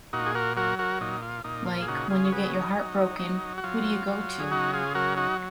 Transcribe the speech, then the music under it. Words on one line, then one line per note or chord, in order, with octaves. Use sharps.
Like, when you get your heart broken, who do you go to?
A#2 D#4 F#4
G#4
F#4 A#4
F#3 F#4 A#4
F#4 A#4
A#2 D#4
F4
A#2 D#4
F4
G#4
C#3 D#4 F#4
F4 G#4
C#5
F#3 G#4 B4
D#4
F#3
F#3
F#4
F#3 F4
F#3
G#4
C#3 D#4 F#4
F4 G#4
F#3 F#4 A#4
D#4 F#4